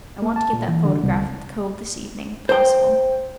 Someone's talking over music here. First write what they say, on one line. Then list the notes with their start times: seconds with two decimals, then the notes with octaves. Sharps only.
I want to get that photograph of the Cove this evening, if possible.
0.22 A#3
0.36 A5
0.53 A#2
0.68 E3
0.85 D3
1.03 C2
2.49 C5 G5